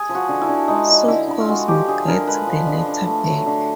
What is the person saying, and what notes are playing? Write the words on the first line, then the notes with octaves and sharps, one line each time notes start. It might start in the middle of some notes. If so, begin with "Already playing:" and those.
So Cosmo gets the letter back.
Already playing: G#4
F3
F#4
D3
E4
D3
G#3 D#4
F3
D3 E4
D3
F4
G#3 F#4
F3 G4
D3 G#4
D3 A#4
G#3 B4
F3
D3
D3
A3
F#3
D3